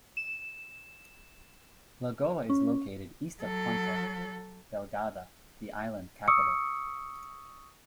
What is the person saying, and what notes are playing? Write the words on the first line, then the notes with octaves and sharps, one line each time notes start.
Lagoa is located east of Ponta Delgada, the island capital.
E7
C#4
F#3 A4
C#6 D#6 E6 C#7